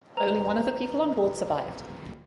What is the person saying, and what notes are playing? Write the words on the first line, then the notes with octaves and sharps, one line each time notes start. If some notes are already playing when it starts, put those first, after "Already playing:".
Only one of the people on board survived.
B4 C5 A#5 F7